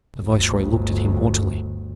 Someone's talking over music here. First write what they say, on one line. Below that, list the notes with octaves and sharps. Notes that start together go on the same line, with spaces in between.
The viceroy looked at him haughtily.
G1 D2